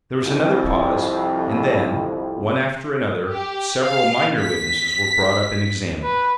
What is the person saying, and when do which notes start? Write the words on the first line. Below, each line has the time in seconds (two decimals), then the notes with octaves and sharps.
There was another pause and then, one after another, several minor witnesses were brought up and examined.
0.23 C2 F2
3.30 G4
3.82 F5
4.39 B6
6.03 B4